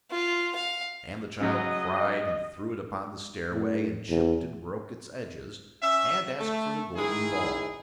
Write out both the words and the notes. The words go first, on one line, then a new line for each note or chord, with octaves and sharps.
And the child cried and threw it upon the stairway and chipped and broke its edges and asked for the golden ball.
F4
F5
C#3 F#3 D#5
A2
E2
C#4 E5
A3
D#3 E4 G#4